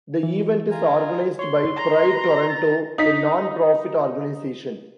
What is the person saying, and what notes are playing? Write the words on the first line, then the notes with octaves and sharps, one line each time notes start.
The event is organized by Pride Toronto, a non-profit organization.
E3
F4 G#5 A#5
C#5 C6
A#5
B4
A6
D#4 B6